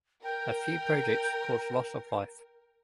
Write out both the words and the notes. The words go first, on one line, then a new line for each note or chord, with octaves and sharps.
A few projects caused loss of life.
A#4 G5